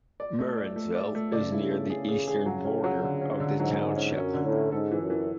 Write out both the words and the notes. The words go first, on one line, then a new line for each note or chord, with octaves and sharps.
Murrinsville is near the eastern border of the township.
D5
A3
D5
A3
D5
A3
C#3 D5
E4
A3
C#3 G#4
G#4
G#4
F#3
C#4
F#3
D3
C#4
D3
G#2 F#3
D3
C#4
F#2 C#4
D3
A2
C#4
G#2 A4
E3
F#2
E3